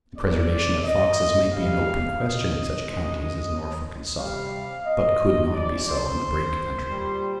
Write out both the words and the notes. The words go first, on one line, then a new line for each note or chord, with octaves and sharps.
The preservation of foxes might be an open question in such counties as Norfolk and Suffolk, but could not be so in the Brake country.
G2 D#3 G#3 D5
D#5
C3 G3 F5
D#5
C3 D#3 G#3
C3 G3 F5
D#5
C3 F3 G#3 D5
C5
A#2 G3